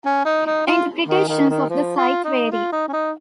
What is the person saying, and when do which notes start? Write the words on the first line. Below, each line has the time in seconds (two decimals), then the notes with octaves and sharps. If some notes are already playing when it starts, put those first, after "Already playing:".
Interpretations of the site vary.
0.06 C#4
0.26 D#4
0.46 D#4
0.67 F4
1.08 D#3
1.29 D#3
1.49 D#3
1.70 F3
1.97 F4
2.25 D#4
2.52 F4
2.72 D#4
2.89 C#4
2.93 D#4